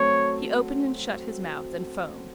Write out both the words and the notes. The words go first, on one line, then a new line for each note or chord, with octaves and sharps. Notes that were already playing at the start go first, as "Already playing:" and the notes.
He opened and shut his mouth and foamed.
Already playing: F#3 A3 C4 C#5